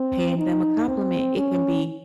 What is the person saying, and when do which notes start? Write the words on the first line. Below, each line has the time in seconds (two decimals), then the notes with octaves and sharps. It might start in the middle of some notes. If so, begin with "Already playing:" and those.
paying them a compliment. It can be
Already playing: C4
0.38 D#4
0.88 C4
1.38 C#4